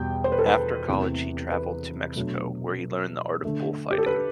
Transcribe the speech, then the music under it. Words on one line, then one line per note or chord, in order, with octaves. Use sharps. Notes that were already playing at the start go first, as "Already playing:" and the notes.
After college he traveled to Mexico, where he learned the art of bullfighting.
Already playing: E2 B2 G3 G5
C5
B4
A4
B4
E2 C3 E3 A3 C4
B4
B2 F#3 A3 D4
D3 A3 D4
G4
A4
B4